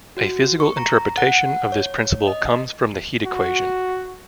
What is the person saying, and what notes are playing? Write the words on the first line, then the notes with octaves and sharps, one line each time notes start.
A physical interpretation of this principle comes from the heat equation.
F#4
C#6
A#5
F#5
C#5
D#5
F#4